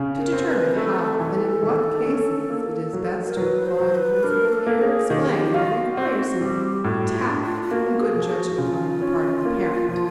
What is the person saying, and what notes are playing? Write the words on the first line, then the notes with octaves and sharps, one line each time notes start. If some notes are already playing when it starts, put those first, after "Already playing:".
To determine how and in what cases it is best to apply the principle here explained will require some tact and good judgment on the part of the parent.
Already playing: C#3
A#4
C4
B4
A#4
A3 A4
E3 A4
D#3
C#4
A#3
F#3
A#4
F#3 B4
C5
F#3
B4
D4 A#4
A4
A#3
G#4
D#3 G4
G4
F4 F#4
C4 F#4
G3 G4
A2 F#4
F4
D4
F4
F4
A#3 F#4
G#4
F3
F#4
C#3 F4
C#4
A#3
F3